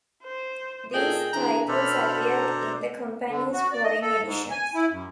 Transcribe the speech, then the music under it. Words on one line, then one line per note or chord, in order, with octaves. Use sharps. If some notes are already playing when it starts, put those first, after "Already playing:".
These titles appeared in the company's foreign editions.
C5
A#2 G#4 A4 D#5 G5
E3 D4 G#4 A#5
B2 D4 A4 C5 B5 F6
A#5
D3
F#4
D5
D#5
A4
G#2
G#5
E4
F#2